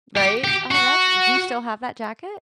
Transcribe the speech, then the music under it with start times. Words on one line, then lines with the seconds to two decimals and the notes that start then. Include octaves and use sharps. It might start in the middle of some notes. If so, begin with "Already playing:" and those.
Right? Oh, that's do you still have that jacket?
0.17 G4
0.44 G4
0.71 F#4